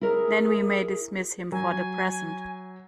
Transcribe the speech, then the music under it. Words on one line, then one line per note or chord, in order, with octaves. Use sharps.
Then we may dismiss him for the present.
E4 G#4 A#4 C#5
F#3 G#5